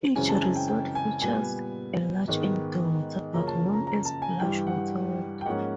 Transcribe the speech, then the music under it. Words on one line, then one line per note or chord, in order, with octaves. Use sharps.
Each resort features a large indoor waterpark known as Splash Waterworld.
F#2 C#3 E3 G#3 C4 G#5
A5
G#5
G5
G5
G#5
A#2 G3 B3 G#5
G#2 D#3 G#3 B3
F#2 C#3 F3 A#3 C#4 A#5
A5
A#5
A#5
A5
G#5
G2 E3 G3 G5
F#5
G5
G#2 F3 A#3 C#4 F#5